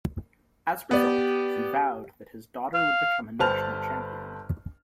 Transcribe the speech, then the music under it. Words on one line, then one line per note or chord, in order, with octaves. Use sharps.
As a result, he vowed that his daughter would become a national champion.
B3 G4 D5
F5
G1 B4 C5 A5 F6 F7